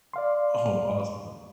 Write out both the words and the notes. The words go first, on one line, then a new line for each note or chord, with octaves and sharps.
Oh, awesome.
D5 F5 C6